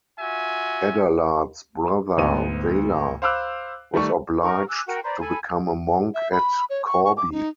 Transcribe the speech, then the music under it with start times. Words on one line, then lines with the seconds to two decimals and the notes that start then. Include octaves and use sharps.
Adalard's brother Wala was obliged to become a monk at Corbie.
0.19 F4 F#4 E5 G#5
2.18 D2 G#2 B3 D#7
3.22 C5 F5 B5 D6 E6 F#6
3.94 D#3 G3 A3 C#6
4.42 D#4 A#4 C#6
4.69 G#5 D6 E6 F#6
4.87 F#4 A#4 G5
5.04 B4 C5 D5 A#5
5.20 A4 G#5 B5
6.14 E5
6.32 B5
6.70 C#5
6.86 C#6
7.05 C#6
7.17 D6
7.32 D#4